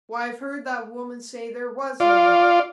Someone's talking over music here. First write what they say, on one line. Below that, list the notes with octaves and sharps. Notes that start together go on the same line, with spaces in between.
Why, I've heard that woman say there was no God.
F4 D5